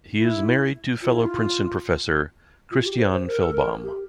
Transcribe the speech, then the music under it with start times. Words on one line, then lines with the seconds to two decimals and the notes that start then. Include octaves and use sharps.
He is married to fellow Princeton professor Christiane Fellbaum.
0.17 E4
1.02 F4
1.11 E4
1.19 F4
2.71 F4
2.85 G4
2.99 C5
3.13 C5
3.27 A#4
3.39 A4
3.52 A#4
3.83 G4